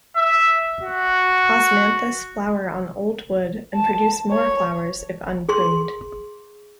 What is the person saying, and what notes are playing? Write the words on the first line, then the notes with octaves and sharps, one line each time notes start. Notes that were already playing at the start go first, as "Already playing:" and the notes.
"Osmanthus" flower on old wood and produce more flowers if unpruned.
E5
F#4
A5
C#5
G#4 C6